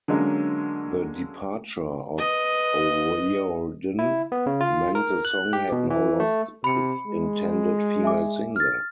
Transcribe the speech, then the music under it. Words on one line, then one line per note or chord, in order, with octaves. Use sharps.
The departure of O'Riordan meant the song had now lost its intended female singer.
D3 F#3 G#3 A#3 C#4
B4 D#5
E4
B3
C#3
F4
A#4
F#6
G4
B2
E3
A3
C3 B5 C#7
G#3
E5 G#5 D6
F6 A6